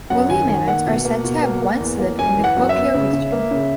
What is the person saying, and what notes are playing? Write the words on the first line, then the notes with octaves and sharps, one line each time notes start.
Woolly mammoths are said to have once lived in the Kuopio region.
F#2 F#5
D#3 G#5
D#3 G#5
A#3 F#5
B2
A#3
B2
A#3
A#3
E2
A#3
F#2 G#5
E3
F#5
F#2
E5
B3
C#3
C#3
A#3
C#3